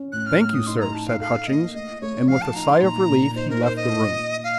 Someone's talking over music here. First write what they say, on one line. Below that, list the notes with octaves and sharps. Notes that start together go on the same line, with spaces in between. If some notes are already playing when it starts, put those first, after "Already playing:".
"Thank you, sir," said Hutchings, and with a sigh of relief he left the room.
Already playing: C#4
A2 F#6
F6
A2 F6
D#6
D#4 C6
A#5
D#4 A5
F5
A4 F5
A#3 D#5
A3 D#5
A3 C#5
F3 F5
A5
D#4 A#5
C6
A#2 A#5
A#2
D#4 C5
A#4
A#4 C5
D#5
F4
A#3
F5